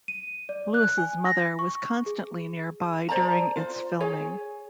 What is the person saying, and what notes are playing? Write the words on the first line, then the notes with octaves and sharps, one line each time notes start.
Lewis' mother was constantly nearby during its filming.
D#7
D5
F#6
G#5
A#6
C#6
G#4
C5 D5 A5 A#5
F4 C5
G#4 C#5 G#5